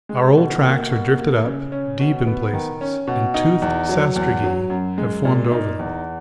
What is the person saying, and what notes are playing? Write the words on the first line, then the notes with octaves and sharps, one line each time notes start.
Our old tracks are drifted up, deep in places, and toothed sastrugi have formed over them.
G#3
B2
A#3
B2
A#3
C#3
C#4
B2
B3
D#3
C#4
B2
D#4
E2
F#3
E2
F#3
F#2
G#3
A#2
D#4
E2